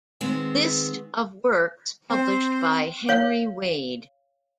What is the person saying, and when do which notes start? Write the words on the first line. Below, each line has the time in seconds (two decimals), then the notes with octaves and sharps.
List of works published by "Henry Wade".
0.21 D#3 G#3 B3 C4
2.10 C4 C5
3.09 C#5 F5